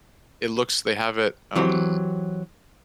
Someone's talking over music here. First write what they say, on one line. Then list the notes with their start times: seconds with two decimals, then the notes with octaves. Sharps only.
it looks they have it, um
1.55 E3 F#3 C4 G4